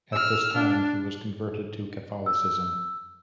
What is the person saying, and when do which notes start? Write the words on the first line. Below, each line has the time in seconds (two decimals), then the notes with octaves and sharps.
At this time he was converted to Catholicism.
0.12 E6 F6
0.56 D4
2.26 E6